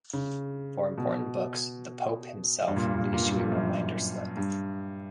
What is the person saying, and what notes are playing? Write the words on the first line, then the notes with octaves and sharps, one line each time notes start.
For important books, the pope himself would issue a reminder slip.
C#3
B2
G2
A#2
G2
A#2
G2
A#2
G2
A#2
G2
F#2
G2